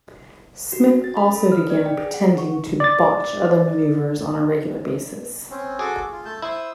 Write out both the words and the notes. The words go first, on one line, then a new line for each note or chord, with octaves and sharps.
Smith also began pretending to botch other maneuvers on a regular basis.
F#4
C#4
A6
B5
A4
F6
D5
G5
G#4
F#5
C#6
D5 A6
C4 C#4
F#4 G#4 A4 D6
F4
A3 A5 G6
E4 C5 D#6 E6